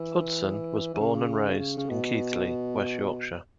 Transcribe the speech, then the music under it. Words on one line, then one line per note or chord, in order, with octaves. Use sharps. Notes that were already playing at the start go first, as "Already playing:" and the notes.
Hudson was born and raised in Keighley, West Yorkshire.
Already playing: E3
E3
C#3
C#3
C#3
B2